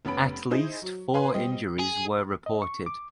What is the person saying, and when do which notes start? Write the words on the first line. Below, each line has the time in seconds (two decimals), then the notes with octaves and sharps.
At least four injuries were reported.
0.05 F1 B3 C#4 B5 D7
0.51 D#4 E4 G#4 C5 D#5
0.82 F#3
1.14 B4 F5 G#5 B5 C6
1.34 G3 C4 D#5
1.79 G#4
2.46 D#5
2.62 C#6
2.86 D6